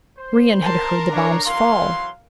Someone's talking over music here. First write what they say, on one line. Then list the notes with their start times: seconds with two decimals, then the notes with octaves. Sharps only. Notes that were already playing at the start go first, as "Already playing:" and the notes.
Brion had heard the bombs fall.
0.18 C5
0.62 A#4 A5 C6
1.11 D4 C#5 F5 A#5
1.46 E3 F#3 F5 C6